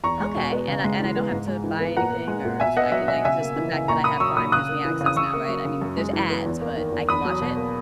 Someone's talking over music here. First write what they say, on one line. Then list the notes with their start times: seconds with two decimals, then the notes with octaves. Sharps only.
Okay, and I and I don't have to buy anything or sh I can like, just the fact that I have Prime gives me access now, right? I mean, there's ads, but I can watch it?
0.04 E2 A#5 C#6
0.20 G#3
0.37 B2
0.52 B3
0.68 C#3
0.84 G#3
1.00 E3
1.16 B3
1.32 G#2
1.48 G#3
1.64 E3
1.80 B3
1.97 A#2 F#5 A#5
2.13 B3
2.28 G#3
2.45 A#2
2.60 B2 E5 G#5
2.76 B3 D#5 F#5
2.92 F#3 E5
3.08 B2 E5
3.24 C#3 E5 G#5
3.40 A#3
3.56 E3
3.72 C#3
3.88 A#2 A#5 C#6
4.04 A#3 B5 D#6
4.20 F#3 C#6 E6
4.37 A#2 B5 D#6
4.52 C#3 D#6 F#6
4.69 A#3
4.85 E3
5.01 C#3
5.06 D#6
5.16 C#3 C#6 E6
5.33 A#3
5.49 F#3
5.65 C#3
5.81 F#2
5.97 G#3
6.13 E3
6.29 B3
6.46 E2
6.61 A#3
6.77 D#3
6.93 E2
7.09 E2 B5 D#6
7.25 F#3
7.42 B2
7.57 A#3